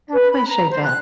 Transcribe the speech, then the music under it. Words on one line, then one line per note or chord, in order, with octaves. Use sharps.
I appreciate that.
B4
B5
A#5
C5
F#6